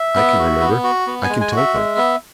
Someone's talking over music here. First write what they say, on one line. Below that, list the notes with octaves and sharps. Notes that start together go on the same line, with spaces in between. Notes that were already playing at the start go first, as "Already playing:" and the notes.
I can remember; I can tell things!
Already playing: E5
B3
F#4
B3
F#4
B3
G#5
G#3
G#5
F#4
E5
G#3
B3